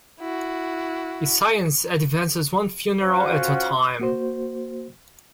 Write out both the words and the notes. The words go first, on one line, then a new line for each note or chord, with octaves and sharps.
Science advances one funeral at a time.
E4 F#4
C#4 F4 F#4 C5 F5 F#5
A#3 F#4 C5